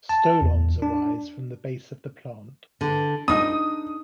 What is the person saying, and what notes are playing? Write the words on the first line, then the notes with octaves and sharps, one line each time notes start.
Stolons arise from the base of the plant.
A5
E2
D4
D3
D4 D#4 D#6